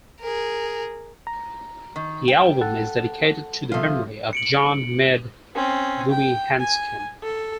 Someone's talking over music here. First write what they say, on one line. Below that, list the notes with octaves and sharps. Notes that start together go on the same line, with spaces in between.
The album is dedicated to the memory of John Med Gummihandsken.
G#4 A#4
A#5
D#3
G5
A4 F#5 A5
C2 F3 F4 A4 E5
C#7 D7 F#7
C4 C#4
G5
G#5
A4